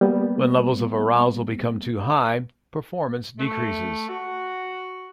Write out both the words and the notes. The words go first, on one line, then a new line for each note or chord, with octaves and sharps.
When levels of arousal become too high, performance decreases.
G3 A#3 B3
A3
F#4